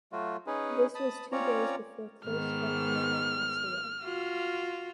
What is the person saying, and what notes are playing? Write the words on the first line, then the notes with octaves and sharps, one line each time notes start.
This was two days before close friend Ano passed away.
F#3 A3 F4 F#4
C#4 D#4 G#4 B4
A5 B5 D#6
C4 C#4 F4 C#5 D5 A#5
G#2 D#3 B3 F6
F4 F#4